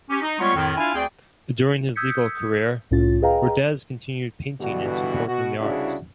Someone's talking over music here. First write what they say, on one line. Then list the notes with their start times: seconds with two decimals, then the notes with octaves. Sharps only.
During his legal career Rodez continued painting and supporting the arts.
0.10 C#4 G4
0.22 D#4
0.39 G3 G#3 B3 F4 C#5 C#6
0.55 F2 A2 D#3
0.77 D4 E4 F4 F5 G#5
0.95 D2 C4 G#4 D5 G5
1.96 D#6 E6 G6 G#6 B6 C#7
2.91 C2 A2 C#4 F4 A6
3.22 G#4 B4 D#5 F5 G5 A#5
4.61 G2 B2 D3 E3 F#4
5.27 B2 F#4
5.60 C2 C#3 D4 E4 F#4 G#4